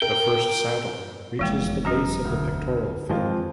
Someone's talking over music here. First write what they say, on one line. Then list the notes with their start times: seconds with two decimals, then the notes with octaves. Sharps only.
The first saddle reaches the base of the pectoral fin.
0.02 A#4 G5
1.39 F1 E2 F3 G#3 A#3
1.85 F#3 C#4 F#4 A#5 F6
2.25 D2
3.09 F2 D#3 F3 G#3 F4